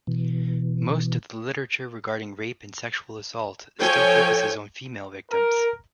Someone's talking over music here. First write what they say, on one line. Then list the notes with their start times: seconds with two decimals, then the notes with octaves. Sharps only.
Most of the literature regarding rape and sexual assault still focuses on female victims.
0.07 B2 E3
3.80 F3 A4 C#5 G5 G#5
5.31 A#4